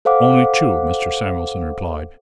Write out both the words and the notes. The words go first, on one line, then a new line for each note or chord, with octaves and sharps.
"Only two," Mr. Samuelson replied.
A4 C5 F5 F#5 D6